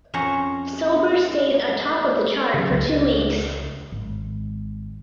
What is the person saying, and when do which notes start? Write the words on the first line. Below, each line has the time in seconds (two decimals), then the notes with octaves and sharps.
Sober stayed atop of the chart for two weeks.
0.14 F2 C#4 C5 C#5 F#5 A#5
2.54 C#3 E3 F#3
2.71 C#2
3.92 G#1